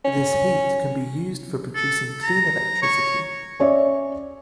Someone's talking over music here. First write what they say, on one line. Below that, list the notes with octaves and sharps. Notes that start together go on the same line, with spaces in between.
This heat can be used for producing clean electricity.
C#4
A4
A#5
C#5
C#4 C#5 D5 E5